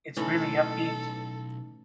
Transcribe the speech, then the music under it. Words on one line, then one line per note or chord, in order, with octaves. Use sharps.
It’s really upbeat.
B1 A2 E3 C#4 D#4 A4 B5